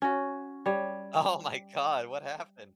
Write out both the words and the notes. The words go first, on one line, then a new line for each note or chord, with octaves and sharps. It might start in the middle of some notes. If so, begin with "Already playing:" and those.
Oh my God, what happened?
C#4 F#4
G3 C#5